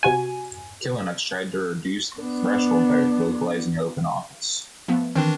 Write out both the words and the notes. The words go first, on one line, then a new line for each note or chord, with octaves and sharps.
Kilinux tried to reduce the threshold by localizing Open Office.
C3 F#4 G#5
B3 D4
F3 A3 B3
D#3 E3 C4 D4